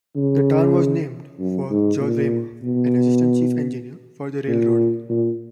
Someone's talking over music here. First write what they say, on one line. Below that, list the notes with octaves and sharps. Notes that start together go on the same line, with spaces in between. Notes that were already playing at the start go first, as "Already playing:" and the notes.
The town was named for George Raymer, an assistant chief engineer for the railroad.
C#3
F#2
G#2
A#2
B2
A#2
A#2